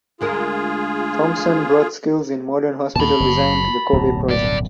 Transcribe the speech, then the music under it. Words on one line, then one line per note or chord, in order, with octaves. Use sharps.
Thompson brought skills in modern hospital design to the Kobe project.
D2 G#3 F4 G#4 A#4
D#2 A#2 A5 B5
F#1 D#3 F#3
D1 B1 F#2
G2 D5